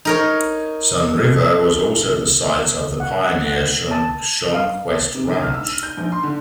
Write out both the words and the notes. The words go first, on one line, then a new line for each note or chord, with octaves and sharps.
Sunriver was also the site of the pioneer Shonquest Ranch.
D#4 A#4 C#5
F#5
F#5
F#5
A5
F5
C3
G1
F6
E6
D#7
G6
A#1
C6
D3